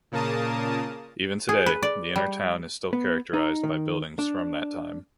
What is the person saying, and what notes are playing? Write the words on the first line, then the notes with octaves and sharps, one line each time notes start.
Even today, the inner town is still characterized by buildings from that time.
A#2 C#3 A#3 A#4 A5 D#6
G#4
B4
D5
G3
B3
D#4
D#3
D4